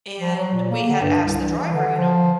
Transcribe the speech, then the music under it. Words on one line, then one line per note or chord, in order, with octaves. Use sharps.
and we had asked the driver, you know,
F3
F#3
A#2
A#3
D3
G2
C2
E3
E3
D3
F3